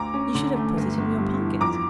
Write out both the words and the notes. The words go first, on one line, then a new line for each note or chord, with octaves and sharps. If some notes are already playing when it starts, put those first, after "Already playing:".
You should have put it in your pocket.'
Already playing: D2 A#5 D6
C#4
D3
A3
G1
G1
G2
E3
F2 A#5 D6